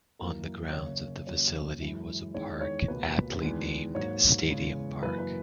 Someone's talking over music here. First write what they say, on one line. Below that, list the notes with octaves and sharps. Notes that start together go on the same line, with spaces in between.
On the grounds of the facility was a park, aptly named "Stadium Park".
F#2 E3 A#3 A#4
D#5
F#2 C#3 F#3 A#3 C#5
D#2 C#3 F#3 C#5
F#2 E3 G#3
E2 D#3 G#3 C#5
C#5
C#2 B2 A#3 B4
E2 D#3 G#3
G#2 F#3 A#3 C#5
E2 C#3 G#3
F#2 E3 A#3 B4
B4